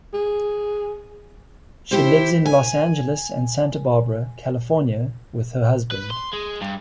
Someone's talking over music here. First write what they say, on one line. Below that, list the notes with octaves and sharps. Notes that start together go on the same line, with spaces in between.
She lives in Los Angeles and Santa Barbara, California with her husband.
G#4
E4 G4 C5
G#5
B4
C6
G#3
G2